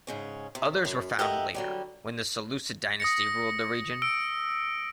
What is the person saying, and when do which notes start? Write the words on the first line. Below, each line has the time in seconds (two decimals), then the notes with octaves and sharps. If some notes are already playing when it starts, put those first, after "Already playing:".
Others were founded later, when the Seleucid dynasty ruled the region.
0.07 G#2 C#3 C#4
0.55 C3
0.85 F#2
1.19 G4 A4 A#4 D#5 E5 F#5
1.54 D3 F#3 G3
3.00 D#6 A#6 C#7
4.02 E6 D7